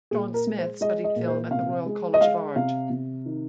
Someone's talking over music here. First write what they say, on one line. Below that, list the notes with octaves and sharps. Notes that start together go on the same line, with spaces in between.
John Smith studied film at the Royal College of Art.
A#2 G#4
A#4
G#3
C5
G#3 D#5
D#5
A#2
C5
C3 F5
G#3
D#5
G#3 F5
C3 F5
C3
D#3